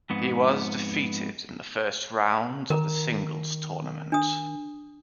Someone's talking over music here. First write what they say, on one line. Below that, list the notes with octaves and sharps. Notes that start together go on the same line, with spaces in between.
He was defeated in the first round of the singles tournament.
F2 G#2 B3
D#3 A#4 A#5
D4 D#6